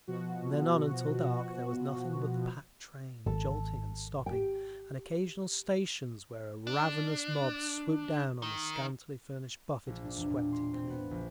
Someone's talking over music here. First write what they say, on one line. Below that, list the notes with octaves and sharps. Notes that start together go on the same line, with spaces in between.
From then on until dark there was nothing but the packed train, jolting and stopping, and occasional stations where a ravenous mob swooped down on the scantily-furnished buffet and swept it clean....
B2 F3 F#4
G#1 A4
G4 G5
D4
D#3
A#1
D4
E1
A#2
C6
C4
B3
A#1